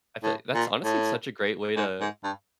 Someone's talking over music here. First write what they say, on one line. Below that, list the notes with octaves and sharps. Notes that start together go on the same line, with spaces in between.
I feel, like that's honestly it's such a great way to uh,
A2
A#2
A2
G#2
G#2
G2